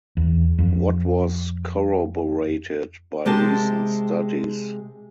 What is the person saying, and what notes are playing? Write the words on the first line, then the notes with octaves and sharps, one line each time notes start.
What was corroborated by recent studies.
E2
F2
C3 G#3 G4 A#4 A5